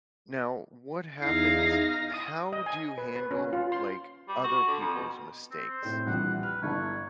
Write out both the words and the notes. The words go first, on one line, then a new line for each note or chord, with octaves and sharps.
Now what happens how do you handle, like, other people's mistakes?
E2 D#4 E4 F5 A#6 C7
D#6
D#5
G#5
B4
B4
C#4
F4
C6
G3
F#4
D3
F2
B2
C4
C5
A2 C4
A#1 E3 G3 F#5
B4 F6
G1 E4 C#5 A5